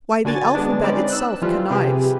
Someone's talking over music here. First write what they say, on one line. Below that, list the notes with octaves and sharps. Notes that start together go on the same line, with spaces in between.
Why, the alphabet itself connives.
D3 F#4 G#5 A6
G#3 B3 D4
C4 C#4 D#4 B4 C5 D5
E6 F#6
E3 F3 G3 F4
C3 G4 G#4 B4